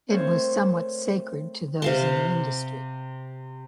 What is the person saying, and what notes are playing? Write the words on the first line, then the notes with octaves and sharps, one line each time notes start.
It was somewhat sacred to those in the industry.
A3 C4 A#4 C5 C#5 F5
C3 F5 A5